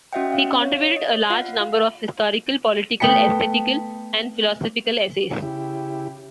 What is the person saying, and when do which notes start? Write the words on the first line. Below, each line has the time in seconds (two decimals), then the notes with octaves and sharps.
He contributed a large number of historical, political, esthetical and philosophical essays.
0.13 C#4 F#4 D#5 E5 F#5 G5
0.30 C#4 F5
0.62 C#5
0.96 D#5
1.30 F4 F5 F#5 C7
3.00 A3 B3 G5 B5 C#7
5.42 C#3 E4 G4